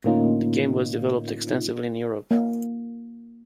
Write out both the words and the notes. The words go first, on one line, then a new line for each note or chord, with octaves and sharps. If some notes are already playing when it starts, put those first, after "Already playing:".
The game was developed extensively in Europe.
A2 D3 A#3 C#4 D#4 F4
A#3